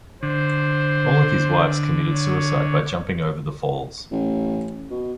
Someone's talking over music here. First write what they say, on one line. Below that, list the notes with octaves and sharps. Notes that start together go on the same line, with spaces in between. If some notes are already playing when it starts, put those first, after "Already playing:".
All of his wives committed suicide by jumping over the falls.
D3 C5
C#5
A1
B2